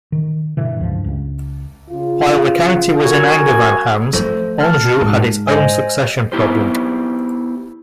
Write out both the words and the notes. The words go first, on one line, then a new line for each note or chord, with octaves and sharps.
While the county was in Angevin hands, Anjou had its own succession problem.
D#3
G2 B2 D3 E3
C#2 G2 F3
C#2
C#3 F4
F#2 F#4 G#5
F3 A3 A4 C5
A5 F6
G#2
C5 D#5 G#5
B3 E4 G4 C5